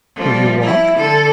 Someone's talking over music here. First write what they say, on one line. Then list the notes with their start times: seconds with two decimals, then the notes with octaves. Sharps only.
"Will you walk?"
0.16 F3 G3
0.62 E4
0.96 D3 A4